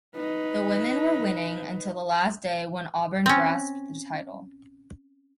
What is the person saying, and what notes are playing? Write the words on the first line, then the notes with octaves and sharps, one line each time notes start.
The women were winning until the last day when Auburn grasped the title.
D#4 B4
C4 C#4